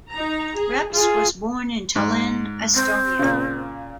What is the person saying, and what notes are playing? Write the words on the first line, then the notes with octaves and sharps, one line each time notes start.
Reps was born in Tallinn, Estonia.
D#4 A#5
G#4
F4 G#4
G#2
C4
A#2 C#3